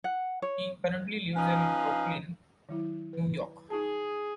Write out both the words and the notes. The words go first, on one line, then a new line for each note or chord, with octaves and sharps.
He currently lives in Brooklyn, New York.
F#5
C#5
F3 C#4 D#4 B4 F5
D#3 F#3 E4
B4
D#4 F4 G#4 A5